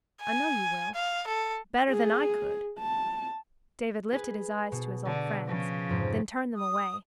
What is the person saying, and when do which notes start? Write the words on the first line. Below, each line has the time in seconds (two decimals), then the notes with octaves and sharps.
"I know you will, better than I could." David lifted his eyes to his old friend's, then turned them away.
0.22 G#5
0.95 F5
1.28 A4
1.89 G#4
2.79 A5
4.13 G#4 B4
4.72 B2
5.06 D3
5.45 C#3 F3
5.89 F2 G#2 C3
6.55 D#6